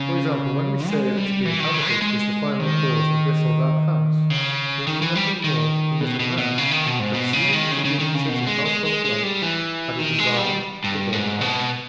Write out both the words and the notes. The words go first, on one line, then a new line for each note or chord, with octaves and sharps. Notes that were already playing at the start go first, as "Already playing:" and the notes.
For example, when we say that to be inhabited is the final cause of this or that house, we mean nothing more than that a man, conceiving the conveniences of household life, had a desire to build a house.
Already playing: C#3
G#3
G3
E3
D#3
C#3
G#3
G#3
D#3
C#3
D#3
E3
G3
D#3
B2
B2
B2
C#3
D#3
B2
G#2
B2
C#3
D#3
C#3
C#3
D#3
C#3
B2
G#3
G#3
G#3
G#3
G3
E3
D#3
G#3
G3
G2
G#2
B2